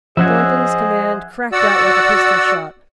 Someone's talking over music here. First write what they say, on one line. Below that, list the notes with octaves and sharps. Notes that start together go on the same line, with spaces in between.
Thornton's command cracked out like a pistol-shot.
F3 C#4 G#4 C5 D#5 E5 F#5 G#5
F#4 D5 F#5 E6